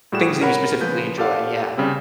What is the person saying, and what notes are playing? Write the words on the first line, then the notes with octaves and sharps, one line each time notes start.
Things that you specifically enjoy, yeah.
A2 G3 F#4 G#4 E7
A#4 C#5 F#5 B5
C#3 F3 B4 G6
G4 A4 D5 F5 F#5
C#3 G3 C4